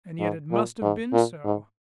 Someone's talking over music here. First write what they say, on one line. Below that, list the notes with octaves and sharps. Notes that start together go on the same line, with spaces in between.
And yet it must have been so!
G#2
A#2
G#2
A#2
G#2